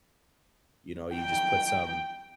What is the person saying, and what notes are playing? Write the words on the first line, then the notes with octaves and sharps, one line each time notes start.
you know, you just put some
G5